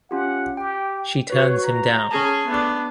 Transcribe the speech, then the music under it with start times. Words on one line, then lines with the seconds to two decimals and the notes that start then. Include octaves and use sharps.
She turns him down.
0.11 C#4 F4 G4 F#5
0.57 G4 G5
1.30 F#4 B4 C#5
1.63 A#5
2.11 C#4 G#4 A5
2.47 A3 B3 D4